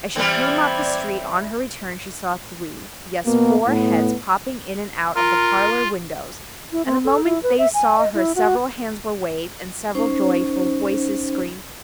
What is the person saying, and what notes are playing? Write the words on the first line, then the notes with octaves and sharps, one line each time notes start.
As she came up the street, on her return, she saw three, yes, four heads popping in and out of the parlor windows, and the moment they saw her, several hands were waved, and several joyful voices screamed...
E3 G3 C4 D5 G#6
B2 A#3
A2 B3
F4 A#4
E4
C4
A4
E4
B4
E5
G#5
D#5
E4
F#4
C#4 D#4 C5